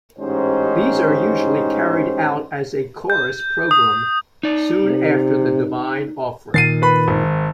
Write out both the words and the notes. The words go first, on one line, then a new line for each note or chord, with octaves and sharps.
These are usually carried out as a chorus programme soon after the divine offering.
A1 G#2 C#4 D#4 G4 C5
G6
D#6
D#4 D5
C3
A#2 D#3 A6 C7 D#7
B4 B5
G#1